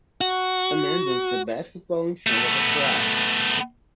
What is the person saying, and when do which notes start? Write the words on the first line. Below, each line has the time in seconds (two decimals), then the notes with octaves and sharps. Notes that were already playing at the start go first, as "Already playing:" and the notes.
A man dunks a basketball in front of a crowd.
0.21 F#4
2.27 A3 B3